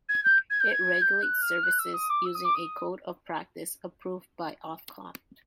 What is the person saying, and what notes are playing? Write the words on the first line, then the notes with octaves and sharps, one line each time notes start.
It regulates services using a Code of Practice, approved by Ofcom.
G#6
G6
G#6
G6
G#6
G6
F#6
F6
F#6
E6
D#6
D6
E6
D#6
D6
D#6